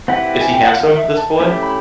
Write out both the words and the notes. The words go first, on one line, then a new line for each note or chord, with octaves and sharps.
Is he handsome, this boy?
C4 E4 G4 B4 F#5
G#5
G5
F#5
F5
E5
A5
A3 C#4 E4 G4 B5
B5